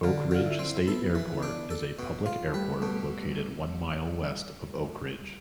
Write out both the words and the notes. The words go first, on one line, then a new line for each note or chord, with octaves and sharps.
Oakridge State Airport is a public airport located one mile west of Oakridge.
D3 F4
D3 F4
E4
C4
B3 A4
E3
D4
A4
B2
F4
A3
G3 B4
B2 A3